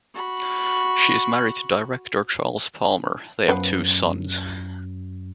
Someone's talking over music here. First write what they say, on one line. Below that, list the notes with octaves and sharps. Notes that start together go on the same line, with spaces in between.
She is married to director Charles Palmer; they have two sons.
F#4 B5
F#2 F3 B3 B4